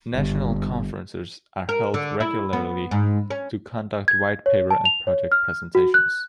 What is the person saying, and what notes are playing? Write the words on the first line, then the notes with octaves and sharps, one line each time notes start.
National conferences are held regularly to conduct white-paper and project presentations.
G1
A#4
D3
E4
B3
G#2
C#4
G#6
C#5
A5
F7
C#5
F6
F#4
F#6